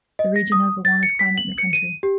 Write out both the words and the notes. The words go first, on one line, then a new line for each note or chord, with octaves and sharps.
The region has the warmest climate in the country.
D#5
A#6
D#6
A6
C#7
B6
F#7
C#7
D#7
G4